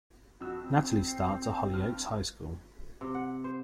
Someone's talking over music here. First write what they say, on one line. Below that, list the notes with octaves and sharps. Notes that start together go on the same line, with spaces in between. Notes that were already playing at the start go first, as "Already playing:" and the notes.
Natalie starts at Hollyoaks High School.
F2 F#4 E6
C4
C7
G2 F6
C3
F#5
C5